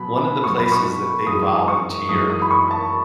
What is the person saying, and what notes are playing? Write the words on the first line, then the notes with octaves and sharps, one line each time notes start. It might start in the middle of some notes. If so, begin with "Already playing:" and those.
one of the places that they volunteered
Already playing: B2 F#3 B5
B2 F#3 C#6
B5
C#6
F#2 E3 G#3 D#6
C#6
F#2 E3 G#3 D#6
D#6
B5
C#6
A5